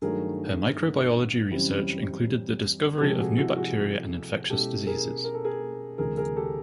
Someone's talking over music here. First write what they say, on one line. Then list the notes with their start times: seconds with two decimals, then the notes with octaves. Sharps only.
Her microbiology research included the discovery of new bacteria and infectious diseases.
0.02 G2 D#3 F#3 A3 G#4 A#4
1.51 F#2 C#3 E3 G3 C4
3.01 C3 F3 G#3 G4 A4
3.18 F#4 G#4
3.37 E4 F#4
3.56 F#4 G#4
4.49 B2 G#3 C#4 E4 G4 A4
4.86 G#4 A#4
5.24 A#4
5.34 A4
5.44 G#4 A#4
5.98 D2 C3 E3 G#3 G#4 A#4
6.17 G#4 A#4
6.36 G4 A4